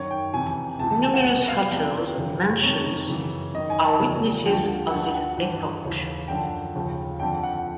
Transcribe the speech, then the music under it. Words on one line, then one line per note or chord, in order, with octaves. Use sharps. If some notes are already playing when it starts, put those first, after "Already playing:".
Numerous hotels and mansions are witnesses of this epoch.
Already playing: F#2 D#3 C#5
G5
F2 C3 E3 G#5
C#2 C3 E3 A5
A5
G#5
F#5
C2 B2 F#5
F5
E2 C3 F3 G5
F#2 C#3 E3
F2 C3 D#3 C#5
F#2 C#3 E3
F#2 D#3 D#5
G#5
A5
E2 C#3 F3 G#5
D2 D3 F3 G5
D2 D3 F3 F#5
F#5
G2 E3
D#2 C#3 E3
F#2 D3 F3 G5
D#2 C#3 F3
F2 D3 F3 G5
F#5